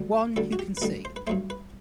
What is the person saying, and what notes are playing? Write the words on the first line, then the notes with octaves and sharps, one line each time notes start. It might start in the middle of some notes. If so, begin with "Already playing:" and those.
One you can see.
Already playing: D2 D3 G3
D2 D3 G3 A4
F#4
G4
B4
D2 D3 G3 A4
C5
B4
G2 F#3 A3 C5
B4